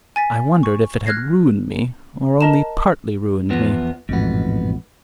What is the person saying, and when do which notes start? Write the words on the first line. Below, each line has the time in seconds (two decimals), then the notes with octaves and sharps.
I wondered if it had ruined me or only partly ruined me.
0.16 G#5 A6 B6
0.63 C#6
1.06 F6 F#6 G#6 A#6 C7
2.41 A#4 D#5 A5 A#5 E7
3.50 E2 F3 B3
4.09 A1 F2 G#2 B2 B3